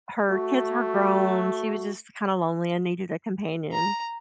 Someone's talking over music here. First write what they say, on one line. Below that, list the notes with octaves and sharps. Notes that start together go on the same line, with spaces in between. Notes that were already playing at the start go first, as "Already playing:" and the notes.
her kids were grown, she was just kinda lonely and needed a companion.
A3 F#4
A#5